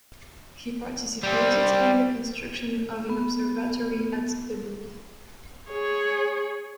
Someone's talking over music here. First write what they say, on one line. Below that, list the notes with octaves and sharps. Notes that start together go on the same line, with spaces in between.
He participated in the construction of an observatory at the Louvre.
G3 C4
B3
G#4 C#5